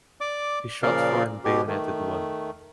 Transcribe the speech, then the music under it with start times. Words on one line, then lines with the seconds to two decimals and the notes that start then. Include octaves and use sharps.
He shot four and bayoneted one.
0.21 D5 D6
0.83 A#2 C#3 F3 A#4 D5 F5
1.44 B2 G4
1.67 D#3 A3